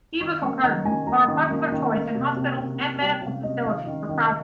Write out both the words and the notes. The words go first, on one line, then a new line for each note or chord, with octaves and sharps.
Cubicle curtains are a popular choice in hospitals and medical facilities for privacy.
D#3 C#6
A#3 C#6
D#3 A#5
D#3 G#5
A#3 A#5
D#3
A#3
D#3
A#3
C3
C3
C3
C3
G3 G5
C3 F5
C3 D#5
D#3 F5
D#3
D#3